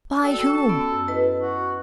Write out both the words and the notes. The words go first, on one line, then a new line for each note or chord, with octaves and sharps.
"By whom?"
F#4 A4 D5 G5
C#4
B3
F#2
E4 B4 D#5
F#4